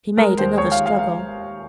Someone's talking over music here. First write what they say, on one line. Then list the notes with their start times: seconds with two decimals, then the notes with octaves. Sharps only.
He made another struggle.
0.17 G#3 A#4
0.38 D#2 C5
0.58 G#3 C#5
0.72 F5
0.79 D#2
0.86 F5
0.98 G#3 F5